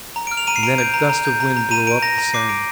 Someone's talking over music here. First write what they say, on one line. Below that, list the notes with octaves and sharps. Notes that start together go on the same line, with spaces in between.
And then a gust of wind blew up the sand.
A#5
D7
F6
F7
A#5 D#7
C7
A#5 D7
G6 D7
A#5
A#5
G6
A#5
A#5
A#5 D#7
A#5 D7
A#5 A#6
A#5
D6 C7
A#5 D7